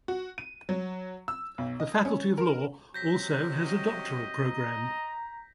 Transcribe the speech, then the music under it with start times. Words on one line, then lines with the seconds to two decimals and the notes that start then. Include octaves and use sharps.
The Faculty of law also has a doctoral program.
0.08 F#4
0.38 D#7
0.69 F#3
1.28 E6
1.58 B1
1.80 D#5
2.05 C#4
2.38 A#4
2.94 C3 F#3 G6 A#6 B6
3.54 D#5
4.46 A#5